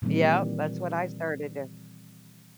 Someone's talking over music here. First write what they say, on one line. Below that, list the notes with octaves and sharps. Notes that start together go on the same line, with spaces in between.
Yup, that's what I started to
A#2 D#3 E3 G3 C4